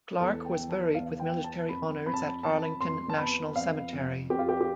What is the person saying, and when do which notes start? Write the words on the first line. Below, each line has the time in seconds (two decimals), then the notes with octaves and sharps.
Clark was buried with military honors at Arlington National Cemetery.
0.20 E2 A4
0.45 G5
0.57 B3
0.70 A5
0.94 E2 F5
1.20 G5
1.32 B3
1.44 A5
1.69 F2 B5
2.06 F2 B5
2.14 A5
2.21 B5
2.43 F2 A5
2.63 B5
2.80 F2 C6
3.10 A5
3.18 B3 B5
3.56 F2 F5
3.93 F2
4.30 F2 G4
4.39 F4
4.49 G4
4.61 G4